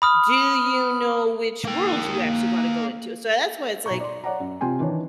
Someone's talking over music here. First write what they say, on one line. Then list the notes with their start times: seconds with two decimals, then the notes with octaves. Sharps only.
do you know which world you actually wanna go into, so that's why it's like,
0.02 B5 D#6 F6
1.65 A#3 G5
3.86 B1 C#5 A#5 C#6
4.00 D5 C6
4.24 C#5 D5 F#5 A#5
4.40 F#2
4.61 C3 C4 F4 G5 G#5 C6
4.79 D#3 E3 D4 C#5